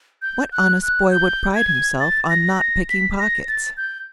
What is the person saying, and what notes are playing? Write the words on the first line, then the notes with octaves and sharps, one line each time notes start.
What honest boy would pride himself on not picking pockets?
G6
F#6
F#6
G6
G#6
A6
A#6
A#6
B6
A#6
A6
G6